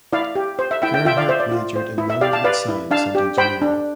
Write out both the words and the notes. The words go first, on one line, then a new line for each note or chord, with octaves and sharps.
Gerhart majored in Management Science and Engineering.
E4 D5 F5
G4
C5
E5
E4 E5 G5
E5 G5
F4 E5 G5
D5 F5
C5 E5
D5
F4
C5
E4
E5
G4 D5 F5
F5 A5
B4 D5 F5
E4
D4 F5 A5
G4
C5 G5 B5
D4